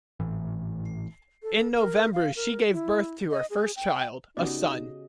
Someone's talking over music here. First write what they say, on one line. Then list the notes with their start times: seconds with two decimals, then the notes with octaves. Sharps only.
In November she gave birth to her first child, a son.
0.20 G#1 A2 E3
1.43 A4
1.76 A#4
2.13 F5
2.36 A#4
2.72 E4
3.31 D#5
3.50 G#4
3.76 G5
4.37 C#3 B3 C#4 D#4 F#4 G4 D5 D#5